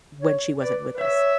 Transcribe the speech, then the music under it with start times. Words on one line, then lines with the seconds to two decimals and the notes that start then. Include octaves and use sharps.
when she wasn't with us,
0.22 C#5
0.60 B4 D5
0.94 B4
0.98 C#5 E5